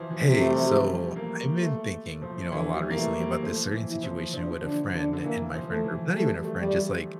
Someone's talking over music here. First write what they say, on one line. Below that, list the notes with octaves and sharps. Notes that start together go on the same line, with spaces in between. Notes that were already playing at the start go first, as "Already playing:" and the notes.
Hey, so I've been thinking, you know, a lot recently about this certain situation with a friend in my friend group. Not even a friend, just, like,
Already playing: E3 F3
E3
C3
A3
G3
F3
G3
A3
A#3
A3
F3
D3 E3
G3
A#3
E3 A3
G3
F3 A3
E3
E4
F3
F3 D4
D3 D4
D3 D4
D3
E3 A#3
F3
A3
E3
G3 A3
G3
A3
G3
G3